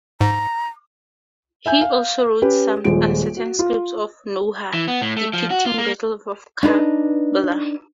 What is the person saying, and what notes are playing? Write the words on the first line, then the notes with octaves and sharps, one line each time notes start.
He also wrote some uncertain scripts of noha depicting battle of Karbala.
G#2 A#5
E5 G#5 G6
F5
C#4 G4 B4
D#1 A#1 G#3 D7
F#4
F4
E3
B3
A2
A3
F3
F#4
F4
A#3
D4 D#4 B4